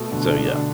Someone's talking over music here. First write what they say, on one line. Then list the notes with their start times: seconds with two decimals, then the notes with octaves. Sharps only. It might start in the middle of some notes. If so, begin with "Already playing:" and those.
so, yeah,
Already playing: B2 A3
0.11 D3
0.29 D4
0.48 D3